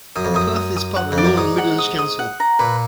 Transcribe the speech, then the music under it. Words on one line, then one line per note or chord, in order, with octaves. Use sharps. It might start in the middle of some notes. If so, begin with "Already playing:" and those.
Perth is part of the Northern Midlands Council.
F#2 D#6
F2
F#2 D#6
D#6
D#6
F#5
F2
D5
F#2
G#2 D#6
F#5
D#6
D#6
F#5
A#5
A#2 B4